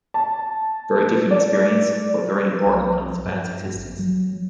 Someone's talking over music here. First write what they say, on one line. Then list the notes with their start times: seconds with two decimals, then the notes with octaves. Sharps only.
Very different experience, but very important on this band's existence.
0.14 A5
1.31 D5
2.66 B1
3.25 G2
3.75 G#1
3.99 F#3